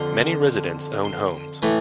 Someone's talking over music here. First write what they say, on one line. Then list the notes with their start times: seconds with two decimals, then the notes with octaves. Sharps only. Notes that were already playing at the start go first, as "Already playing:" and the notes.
Many residents own homes.
Already playing: F2 D3 F3 C6
1.05 C6
1.62 A2 E3 A3